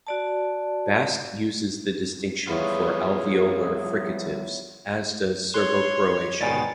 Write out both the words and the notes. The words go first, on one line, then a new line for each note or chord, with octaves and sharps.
Basque uses the distinction for alveolar fricatives, as does Serbo-Croatian.
F#4 D5 A5
F3 G3 B3 E4 F4 G#4 C#5
C#5 C6 F#6
G#2 B2 D#3 D5 D#5 G#5 A6